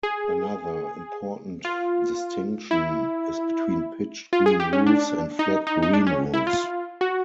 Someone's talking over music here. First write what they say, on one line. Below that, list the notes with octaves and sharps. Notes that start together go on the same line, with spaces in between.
Another important distinction is between pitched green roofs and flat green roofs.
G#4
F4
E4
F4
G#4
G4
C#4
D4
D#4
D#4
D#4
D4
C#4
E4
F4
F#4